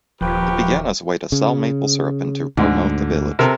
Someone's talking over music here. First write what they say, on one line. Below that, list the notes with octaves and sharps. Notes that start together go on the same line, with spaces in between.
It began as a way to sell maple syrup and to promote the village.
D#1 F3 G4 A#4 B4 G5 C#6
C#3
D2 G#2 D3
C3 A4 A#4